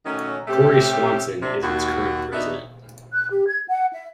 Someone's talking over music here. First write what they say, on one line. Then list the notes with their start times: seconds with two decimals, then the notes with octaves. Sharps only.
Kory Swanson is its current president.
0.06 D#3 F#3 A3 C#4
0.48 A3 C4 C#4 G4
1.42 C3 D4
1.62 D#2 F#4
2.33 B3 D4 D#4 F#4 E5
3.13 F#6
3.30 G4
3.47 G#6
3.67 F#5
3.92 E5